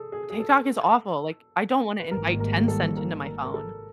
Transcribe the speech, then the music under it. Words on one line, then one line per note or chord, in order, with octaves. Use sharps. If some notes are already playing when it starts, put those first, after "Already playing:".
TikTok is awful, like, I don't wanna invite Tencent into my phone.
Already playing: G#4 A4
G#4
G#4
A4
B4
G#1 G#2 D#3 G3 A#3 A#4
A#4
A4
A#4
A#4
A#4
A4